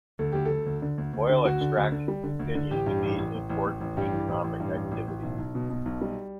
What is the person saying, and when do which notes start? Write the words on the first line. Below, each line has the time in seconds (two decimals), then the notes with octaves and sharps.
Oil extraction continues to be an important economic activity.
0.19 D2 A4
0.32 D2 G4
0.45 A4
0.51 D2
0.66 D2
0.82 D3
0.98 D2
1.13 D2
1.29 D3
1.45 D2 F#4
1.61 D3
1.77 D2
1.92 D3
2.08 G3
2.24 D3
2.39 D2
2.55 D3
2.71 A1 G4
2.86 G2
3.02 A1
3.18 A1
3.34 A1
3.49 A1
3.66 A1
3.81 A1
3.97 G2 G4
4.13 E3
4.28 A1
4.44 A1
4.60 G2
4.76 A1
4.91 A1
5.07 A1
5.23 B1
5.38 B1
5.55 B2
5.70 B2
5.86 B1
6.01 G3